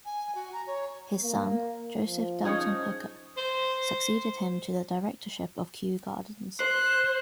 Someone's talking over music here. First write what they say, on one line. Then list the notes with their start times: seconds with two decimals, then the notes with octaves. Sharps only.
His son, Joseph Dalton Hooker, succeeded him to the Directorship of Kew Gardens.
0.05 G#5
0.35 F#4
0.53 A#5
0.67 C#5
1.23 A#3
2.00 F3
2.45 C#4 D#4 G#4
3.37 C5
6.60 C5 F#6